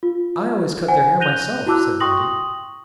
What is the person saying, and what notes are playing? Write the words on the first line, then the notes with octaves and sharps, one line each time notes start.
"I always cut their hair myself," said Wendy.
F4
C5 F#5 G#5
F#6 G6 A#6 D#7 F7 G7
E4 F#4 A5 D6 E6 F#6
G5 C6 C#6 D#6 A#6 F#7